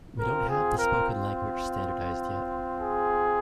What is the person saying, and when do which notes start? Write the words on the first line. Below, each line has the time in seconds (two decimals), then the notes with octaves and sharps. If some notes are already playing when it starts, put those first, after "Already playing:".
We don't have the spoken language standardised yet.
0.19 C4 F4 A#4
0.49 G#4
0.78 A#4
2.79 G#4